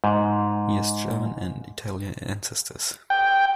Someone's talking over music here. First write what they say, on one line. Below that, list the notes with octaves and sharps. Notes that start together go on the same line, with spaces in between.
He has German and Italian ancestors.
G#2
G5